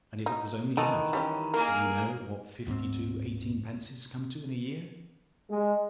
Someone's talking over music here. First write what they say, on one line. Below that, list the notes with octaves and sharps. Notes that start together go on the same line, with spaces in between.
And if it was only that,--do you know what fifty-two eighteenpences come to in a year?
D#4
D#3 E3 D#4 A4
G3 C#4 G4
A#3 G#4 A#4
D1 G#2 G#3 C4
G#3